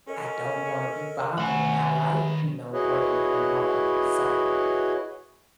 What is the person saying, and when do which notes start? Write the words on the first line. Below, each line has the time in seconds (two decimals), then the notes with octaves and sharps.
I don't wanna be bothered, and I like, you know, working from home. So
0.07 C#4 A4 A#4 D#5
1.38 D#3 A3 C#4 F#5 B5
1.87 B4 E5
2.73 E4 F#4 G#4 B4 C#5 D#5